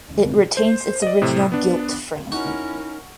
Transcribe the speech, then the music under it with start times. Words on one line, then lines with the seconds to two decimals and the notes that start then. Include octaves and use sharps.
It retains its original gilt frame.
0.57 C5
1.02 D5 D#5
1.22 A2 C3
1.52 B3 D4
2.32 C#4 D#4 E4 F#4 A#4